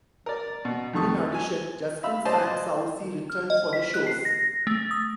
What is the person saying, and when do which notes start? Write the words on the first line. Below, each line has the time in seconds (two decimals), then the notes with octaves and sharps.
In addition, Justin San Souci returned for the shows.
0.26 A#4 D5
0.65 B2
0.93 F2 D#3 A3 C#6 D#6
1.35 G#5
2.03 E5 F5 B5 E6
2.25 C5 D5 D#5 F5 A5 C6
3.30 F6
3.50 D#5
3.73 B6
3.94 F#6
4.07 C7
4.25 A#6
4.67 A3
4.91 D#6